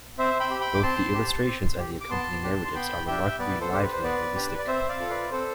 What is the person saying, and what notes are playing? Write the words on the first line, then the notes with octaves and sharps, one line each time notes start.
Both the illustrations and the accompanying narratives are remarkably lively and realistic.
C4 C5 E5
G5 B5
G4
G5 B5
D6
C4 A5 C6
G4
C4
G4
D6
B3 A5 C6
D4 G4
C6
B3 G5 B5
D4 G4 E5 G5
B3 B4 D5
A4 C5
D4 G4 C5
B4
C5
B3 B4 D5
D4 G4
D5
C4 C5 E5
D5 F5
F4 A4
B4 D5
C4 A4 C5